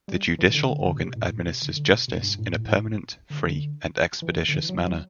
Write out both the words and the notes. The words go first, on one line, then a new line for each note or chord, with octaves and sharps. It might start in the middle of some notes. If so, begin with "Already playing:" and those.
The Judicial Organ administers justice in a permanent, free, and expeditious manner.
G3
E3
D3
D3
D3
B2
C3
A2
A2
C3
D3
D3
C3
B2
G2
A2
A2
A2
D3
D3
E3
D3
E3
F#3
F#3